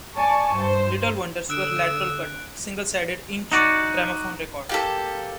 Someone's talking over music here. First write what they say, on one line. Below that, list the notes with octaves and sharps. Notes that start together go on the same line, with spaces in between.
Little Wonders were lateral-cut single sided inch gramophone records.
D5 G#5 A5 C#6
G2 C5
D3 E6 F#6 D7
D#4 F#4 D5
A#3 G4 A4